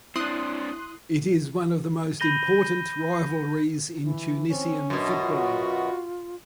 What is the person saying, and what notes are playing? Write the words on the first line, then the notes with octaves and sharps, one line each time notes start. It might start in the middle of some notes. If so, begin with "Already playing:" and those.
It is one of the most important rivalries in Tunisian football.
C4 D4 E4 C6 D#6 F#6
B5 G6 A#6 D#7 G7
E3
C4 C#4
F#2 B2 D4
F4 F#4